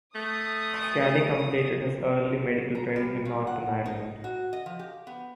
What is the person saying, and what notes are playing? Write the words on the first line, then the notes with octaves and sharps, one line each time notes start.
Scally completed his early medical training in Northern Ireland.
A3 D#6
A#5
G3
G2
F#5
D#4
F#4
D#5
F3
G4
B3